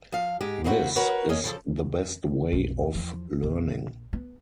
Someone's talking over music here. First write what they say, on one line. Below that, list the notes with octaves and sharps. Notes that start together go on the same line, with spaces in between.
This is the best way of learning.
F3 F5
G#2 G#3 G4
A#3 C4 D#4 E4 F#4
F#4 A#4 B4 C#5
A#3 C#4 D#5
C#3 F3 A4
B1 F2
E2 F3
A#1
B3